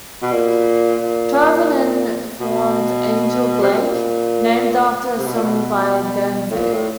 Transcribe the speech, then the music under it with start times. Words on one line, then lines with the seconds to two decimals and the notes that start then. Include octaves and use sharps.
Tervonen formed Angel Blake, named after a song by Danzig.
0.22 B2
0.31 A#2
1.01 A#2
2.40 B2
3.62 C3
3.70 B2
3.79 A#2
5.17 C3
5.26 B2
5.34 A#2
5.43 B2
6.50 A2
6.56 A#2
6.73 A2